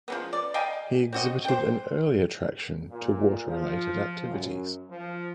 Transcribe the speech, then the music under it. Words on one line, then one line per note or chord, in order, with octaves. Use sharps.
He exhibited an early attraction to water-related activities.
F3 G#3 B3
D5
D#5 F5 G5 G#5
C4 F#4 D#5
C5 G5
A#2
F3
F#2
F3